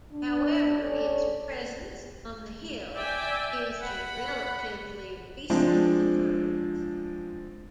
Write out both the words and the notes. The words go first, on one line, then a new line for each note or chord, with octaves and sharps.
However, its presence on the hill is a relatively recent occurrence.
D4
C#4 A4 C#5 D5
D5 E5 G5 G#5
F#5 B5
F3 G#3 C4 D4